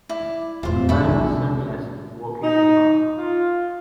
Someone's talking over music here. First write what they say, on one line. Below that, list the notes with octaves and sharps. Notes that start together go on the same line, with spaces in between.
A man with sunglasses walking in a park.
E4 D5
E1 F2 A2 F4 C5
G#3 D4 E5 B5 C#6
B1 C3 F3
D#4
F4